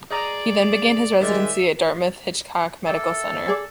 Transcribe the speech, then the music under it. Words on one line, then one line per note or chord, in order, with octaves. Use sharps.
He then began his residency at Dartmouth Hitchcock Medical Center.
G#4 D5 D#5 A#5
D#3 G#3 D5 E5
A#3 A4 E5 G5
G#4 D5